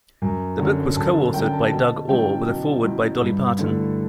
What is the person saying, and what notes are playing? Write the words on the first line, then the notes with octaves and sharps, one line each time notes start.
The book was co-authored by Doug Orr with a Foreword by Dolly Parton.
F#2
D3 F#3 C#4
F#2 A5
D3 F#3 C#4 G5
A5
B2 A5
F#3 C#4 E4 G5
B2
F#3 C#4 E4
G2
D3 A3 E4